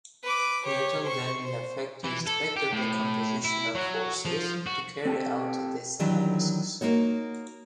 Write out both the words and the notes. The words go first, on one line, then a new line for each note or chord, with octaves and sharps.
Newton then in effect used vector decomposition of forces, to carry out this analysis.
B4 D6
G4 C#5
C5 C#6
C5
E3
A4
G4
A2
E4
F#3
F3
F#4
C4 G4 A4
D#3 E3 F#3 D4 G4
A#3 D#4 F#4 C#5